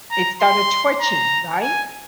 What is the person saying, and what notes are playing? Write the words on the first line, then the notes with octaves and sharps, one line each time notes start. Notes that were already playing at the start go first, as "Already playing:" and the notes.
it started twitching, right?
A#5
C6
A#5
G#5